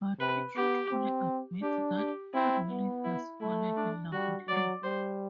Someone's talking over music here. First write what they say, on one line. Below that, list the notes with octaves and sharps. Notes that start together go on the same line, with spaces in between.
But he truthfully admits that he really has fallen in love with her.
C3 B4
B3 G4
C4
D4 G4
G4
C4 E4
B3
E4
A3 E4
D4
G3 F#4
F#3 D5
G3 C5